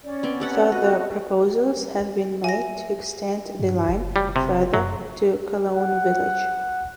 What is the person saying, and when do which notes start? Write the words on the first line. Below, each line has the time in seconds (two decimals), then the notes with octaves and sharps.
Further proposals have been made to extend the line further to Coloane Village.
0.04 C#4 D5
0.23 B3 C4
0.40 G4 A4 F#5
0.72 F#4 D#5 F#6
2.44 E5 G#5 A#6
3.59 G2
3.88 F#1
4.16 G3
4.36 C3
4.74 F#2 F#3
5.73 F#5